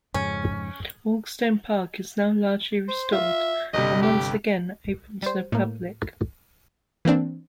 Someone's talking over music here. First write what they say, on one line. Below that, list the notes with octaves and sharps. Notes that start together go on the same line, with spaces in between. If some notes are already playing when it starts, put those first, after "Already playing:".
Hawkstone Park is now largely restored, and once again open to the public.
F2 G#2 C#3 C#4
C5
F4 E5
G1 C3 G3 D#5
G4
G3 C5
A2 A#3
E3 A#3 C4 D4